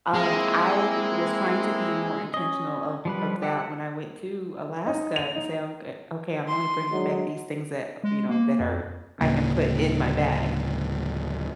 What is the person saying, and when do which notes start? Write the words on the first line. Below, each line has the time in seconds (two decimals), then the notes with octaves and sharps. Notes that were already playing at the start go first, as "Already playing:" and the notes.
um, I was trying to be more intentional of of that when I went to Alaska, and say, "Okay okay, I'm only bringing back these things that" you know, "that are I can put in my bag."
0.13 G#3 A#3 C4 E4
2.34 C#4 D#5
3.05 F3 G3 B4
3.42 G4 A4 F#5
4.87 D#4
5.16 F7
5.35 D#4
6.48 C6
6.92 F#3 G#3 D4
8.04 G#3
8.29 A#3
8.60 F2
9.21 D1 G#1 C#3 A#3